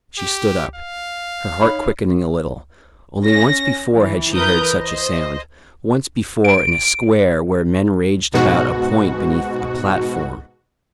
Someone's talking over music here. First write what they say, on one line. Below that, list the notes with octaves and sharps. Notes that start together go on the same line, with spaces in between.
She stood up, her heart quickening a little--only once before had she heard such a sound, once before, in a square, where men raged about a point beneath a platform....
G4
F5
D#4 C#5 B5
C#4 A#6
E3
E3 A#4 B4 D#6 G6
C5 D#5
D7
G#2 B2 F#4